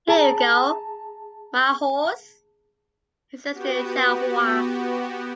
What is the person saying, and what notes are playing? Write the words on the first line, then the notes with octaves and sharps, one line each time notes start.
Here you go my horse, he says to Jahoua.
G#4 A5 A#5
B3 F#4 G4